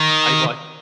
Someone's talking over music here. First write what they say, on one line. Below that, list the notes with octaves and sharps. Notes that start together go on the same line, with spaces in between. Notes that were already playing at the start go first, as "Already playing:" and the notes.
I'd watch
Already playing: D#3